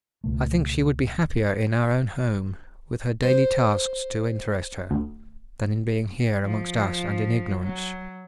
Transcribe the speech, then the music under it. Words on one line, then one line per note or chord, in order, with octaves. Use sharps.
I think she would be happier in our own home, with her daily tasks to interest her, than in being here amongst us and in ignorance.
C#2 B2 A3
C5
D2
F3
F#3